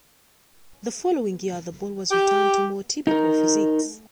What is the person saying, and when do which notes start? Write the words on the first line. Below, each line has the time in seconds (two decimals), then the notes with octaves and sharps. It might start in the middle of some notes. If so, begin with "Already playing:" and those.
The following year the ball was returned to more typical physics.
2.10 G4
3.07 D#4 A#4